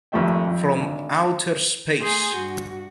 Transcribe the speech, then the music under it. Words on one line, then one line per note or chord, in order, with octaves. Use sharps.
From Outer Space.
G#1 F2 G3 A3 E5 G5
F2
G#1 D3
A3 G#4 G#5 C6 G6
G2 F#4